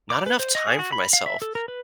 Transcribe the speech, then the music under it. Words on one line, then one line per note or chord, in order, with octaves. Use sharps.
not enough time for myself.
D6
B4
C5
D#5
G#4
F#4
B5
F5
E5
A4
A#4
B4